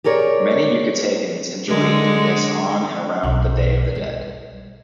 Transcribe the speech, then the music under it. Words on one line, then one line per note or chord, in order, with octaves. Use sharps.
Many Yucatecans enjoy eating this on and around the Day of the Dead.
G4 G#4 A#4 C#5 D5
D3 G#3
B1
G3